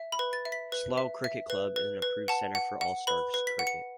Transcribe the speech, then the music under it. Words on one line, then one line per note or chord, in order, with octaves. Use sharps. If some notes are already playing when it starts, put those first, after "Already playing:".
Slough Cricket club is an approved center for All Stars Cricket.
Already playing: E5
B5
B4
A6
E5
B6
B4
E5
E5
B4
B4
B4
F#5 A5
F#5
F#5
B4 B5
B4
B6
F#5
C#7